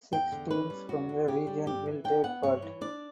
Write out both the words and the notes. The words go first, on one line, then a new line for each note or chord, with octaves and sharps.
Six teams from the region will take part.
E2 G5
D3
C#4 B4
G3
E2 F#4
D3
C#4 G4
G3
G2 G4
E3
D4 G5
B3 F#5
G2 C#5
E3
D4 D5